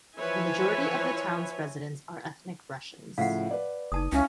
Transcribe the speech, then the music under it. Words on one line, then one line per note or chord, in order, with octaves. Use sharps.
The majority of the town's residents are ethnic Russians.
E3 F3 B4 C#5 E5 G#5
A2 C#3 F3 F5 F#5
B4 D5
F#1 D#4 A5 D#6
C#2 C#4 E4 E5 F5